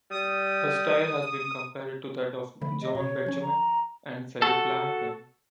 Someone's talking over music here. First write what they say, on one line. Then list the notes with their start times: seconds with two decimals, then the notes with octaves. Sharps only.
Her style has been compared to that of John Betjeman and Philip Larkin.
0.11 G3 D#6
2.62 D3 F3 A3 B5
2.82 D#5
2.95 B2 C#5
3.26 F3 C#4
3.42 A#5
4.42 F#4 A4